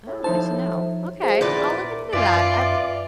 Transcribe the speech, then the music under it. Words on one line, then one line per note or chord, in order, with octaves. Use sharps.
Oh, good to know. Okay, I'll look into that. I
A2
F3 D#4 C5 A5
F3 G#4 C5
E2 A#2 B4 D5
F#2 F4 B4 D5 E5 G#5